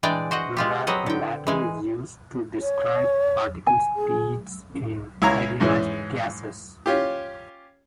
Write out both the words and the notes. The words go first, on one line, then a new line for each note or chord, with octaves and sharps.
Whereas, the latter is used to describe particle speeds in idealized gases.
E3 G#3 D4 D5 G5
F#4 C5 D#5 F#5
G#3 F4 G4
F#3 B3 C4 D#5 F#5
D3 G5
E3 G#3 G#5
C#5
G#5
G#4
C#2 E4 C#5 F5 A#5
E2 G#2 E3 C#4
C#4 F4 G4